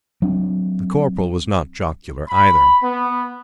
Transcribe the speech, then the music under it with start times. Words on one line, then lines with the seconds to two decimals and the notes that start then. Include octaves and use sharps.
The Corporal was not jocular either.
0.22 F#3 C4 D4
2.29 B5
2.83 B3